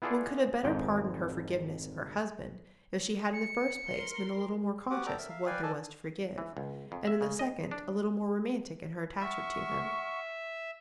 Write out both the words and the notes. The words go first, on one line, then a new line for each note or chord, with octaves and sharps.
One could have better pardoned her forgiveness of her husband if she had in the first place been a little more conscious of what there was to forgive; and in the second, a little more romantic in her attachment to him.
B3 E4 F4 G#4 A4 D5
G#1 F2 G#2 G5
C#7
A#4 C6
B3 F#4 G4 F#5 D6 D#6
B3 A4 D5 G5 A#5 D6
A#4 E5
E5 F5
B4 D5 F5 G5 G#5
A4 D5 D#5 G#5 A5
E3
C#2
F2
E5
C#3
D#5
D4
E5 F#5 C#6 F6